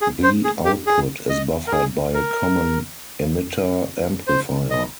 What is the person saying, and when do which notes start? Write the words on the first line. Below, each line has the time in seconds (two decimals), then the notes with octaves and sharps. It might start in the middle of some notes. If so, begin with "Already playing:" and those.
The output is buffered by a common emitter amplifier.
0.02 G#4
0.23 C5
0.44 G#4
0.65 G4
0.87 G#4
1.30 D#5
1.67 A#4
1.72 G#4
2.15 A#4
4.27 C5
4.70 D#5